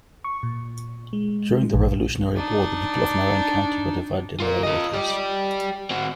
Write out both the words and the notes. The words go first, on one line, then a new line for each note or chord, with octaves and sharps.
During the Revolutionary War, the people of Marion County were divided in their loyalties.
C#6
A#2
G#3
A#1
D4 D#4
F4 A#4
F4 D#5
G4 D5
C4 F#4